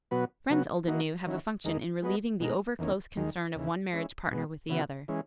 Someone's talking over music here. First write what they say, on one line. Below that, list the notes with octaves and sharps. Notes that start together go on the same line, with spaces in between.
Friends, old and new, have a function in relieving the overclose concern of one marriage partner with the other.
B2 F#3 B3 F#4 B4
C#3 F#3 B3 F#4
E3 A#3 D#4 F#4
D#3 F#3 C#4 E4
E2 D#3 G#3 D#4 A#4
G#3 B3 F#4 B4 D#5
B2 G#3 D#4 A#4
E2 D#3 A#3 C#4
D#2 D#3 G#3
D#2 C#3 E3
G#3 C#4 E4
B2 G#3 B3
C#3 E3 B3 F#4
E3 G#3 C#4